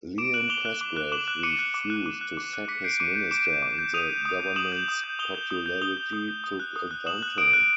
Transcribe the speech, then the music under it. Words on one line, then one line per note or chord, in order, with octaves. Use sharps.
Liam Cosgrave refused to sack his Minister and the government's popularity took a downturn.
D6 D7 E7
F#6 E7 F#7
D6 F7 G7
F#6
D6
F#6
D6 E7 F#7
F#6
D6 C#7 D#7
F#6
D6
F#6
D6
F#6
D6
F#6
D6 B6 C#7
G6 C7 D7
D6 C#7 D#7
G6
D6 D7 E7
G6
D6
G6
D#6 D#7 F7
G6
D#6
G6
D#6 E7 F#7
G6
D#6
G6
D#6 F7 G7
G6
D#6
G6
D#6 F7 G7
G6
D#6
G6
D#6
F#6
D#6
F#6
D#6 E7 F#7
F#6
D#6 D7 E7
F#6